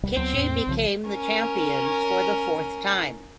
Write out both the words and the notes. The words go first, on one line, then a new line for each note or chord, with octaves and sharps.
Kitchee became the champions for the fourth time.
D1 C2 G3
D2 F#3 B3 C4
E2 A2
B1 C#3 F3
C#4 A#4